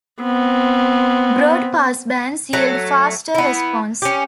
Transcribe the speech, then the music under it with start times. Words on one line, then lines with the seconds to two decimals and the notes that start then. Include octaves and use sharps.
Broad passbands yield faster response.
0.22 B3 C4
2.53 F#3 A3
3.35 B3 E4
4.02 C#4 G4